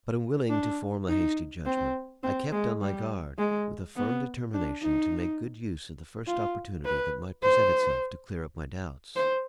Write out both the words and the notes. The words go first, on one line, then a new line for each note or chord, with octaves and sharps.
But, unwilling to form a hasty judgment, I kept on my guard, with a firm determination to make good use of the first opportunity that might present itself to clear up my doubts.
D4
D#4
C4
C4
G#3
G3
G#3
B3
D4
D#4
F4
B4
C5
C5